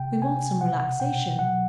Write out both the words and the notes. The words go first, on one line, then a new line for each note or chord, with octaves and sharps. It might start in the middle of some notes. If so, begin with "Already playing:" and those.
"We want some relaxation."
Already playing: C3 G5
C3 G#5
B2 F#5
B2 G5
F#3 F#5